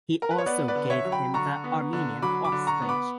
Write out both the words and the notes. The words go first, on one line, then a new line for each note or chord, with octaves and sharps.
He also gave him the Armenian hostage.
A#4
B4
C#5
B3 B4 D5
B4 D5
D3
C#5 E5
F#3
G5 B5
D3 A#5 C#6
B3
D3
F#3 B5 D6
B5 D6
D3
A#5 C#6
B3
B5 D6